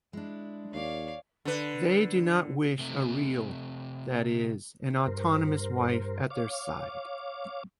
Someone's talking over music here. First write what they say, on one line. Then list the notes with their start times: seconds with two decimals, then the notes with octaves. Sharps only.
They do not wish a real, that is, an autonomous wife at their side.
0.13 G#3 D4 E4
0.73 D#2 C#5 D5 F5
1.45 D3 B4
2.79 C3 A3
5.07 G2 A#4 C5
6.30 C#5 F5 D6